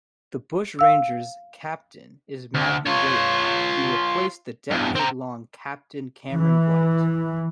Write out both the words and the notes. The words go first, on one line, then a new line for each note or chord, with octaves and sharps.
The Bushrangers' captain is Matthew Wade, who replaced the decade-long captain Cameron White.
F5 E6
D2
F4 C#5
E2 G2
C4 A#5
E3